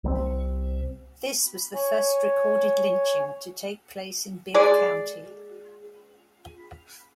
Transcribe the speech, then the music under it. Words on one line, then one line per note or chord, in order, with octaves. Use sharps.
This was the first recorded lynching to take place in Bibb County.
C2 F#3 C4
C#5 G#5
G#3 G#4 D5